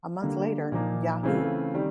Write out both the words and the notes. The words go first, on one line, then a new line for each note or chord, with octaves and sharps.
A month later, Yahoo!
D3 G3 A#3
A#2 F3 A#3 D#4
C#3 E3 A3 C4 F4
D#3 G3 C4